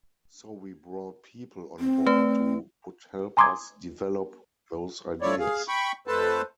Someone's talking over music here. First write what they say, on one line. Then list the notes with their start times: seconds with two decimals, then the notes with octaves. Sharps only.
So we brought people on board who would help us develop those ideas.
1.80 C4
2.06 A3 B4
3.37 G#5 A#5 C6 D6 D#6 G#6
5.22 F3 A3 E4 C#5 D5
5.39 G#4 F5
5.68 G5 B5 C#6
6.07 F2 A3 A4 B4 C5 A5